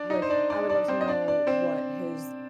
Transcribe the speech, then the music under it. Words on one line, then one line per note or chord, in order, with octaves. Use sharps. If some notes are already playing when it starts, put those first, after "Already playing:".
Like, I would love to know what his
Already playing: D4 D5
D#4 D#5
C5
D4 D5
D4 D5
D4 D5
C4 C5
D#5
D4 D5
D4 D5
C4 C5